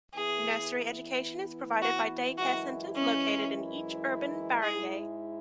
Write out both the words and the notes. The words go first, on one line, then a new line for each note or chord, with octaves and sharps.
Nursery education is provided by day-care centers located in each urban barangay.
E3 B3 E4 G#4
F#4
F#2 E3 G#3 E4 F#4
C#4
G#2 G#3 E4 G#4